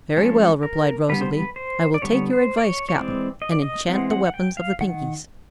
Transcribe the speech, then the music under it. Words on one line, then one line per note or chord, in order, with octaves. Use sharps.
"Very well," replied Rosalie; "I will take your advice, Cap'n, and enchant the weapons of the Pinkies."
F3 G#3 C#4 A4
A#4
D3 G3 B3 B4
C5
B4
C5
D5
D3 G3 B3 C#5
C5
D5
C#5
C#5
E3 G#3 C4 D5
D#5
D5
D#5
E3 G#3 C4 F#5
F#5
F#5
G5
F5
D#3 F#5